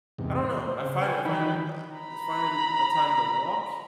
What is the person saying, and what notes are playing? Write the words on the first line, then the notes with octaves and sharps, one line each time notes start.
I don't know, I find I find m uh, it's finding a time to walk
E2 G#2 C3
C5
C#3 C5
B4 G5 G#5
D#3 E3 D#4 G5 B5
A#5 B5